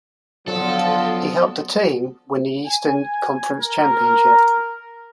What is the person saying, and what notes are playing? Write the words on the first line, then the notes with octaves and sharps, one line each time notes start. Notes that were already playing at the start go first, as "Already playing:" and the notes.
He helped the team win the Eastern Conference championship.
D3 F3 F#3 B3 A4
G#5
A#4